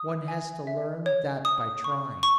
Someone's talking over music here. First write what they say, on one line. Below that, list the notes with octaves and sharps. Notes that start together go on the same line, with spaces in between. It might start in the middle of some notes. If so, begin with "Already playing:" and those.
One has to learn that by trying.
Already playing: D#6
G#5
E5
C#5
D#6
C#6
C#6